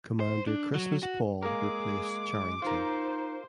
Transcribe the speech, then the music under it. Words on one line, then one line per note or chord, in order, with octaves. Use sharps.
Commander Christmas Paul replaced Charrington.
C5
D4
F#3
F#4
G#3 A#3 G#4 A#4 D6
D#4 F4 A#4 C5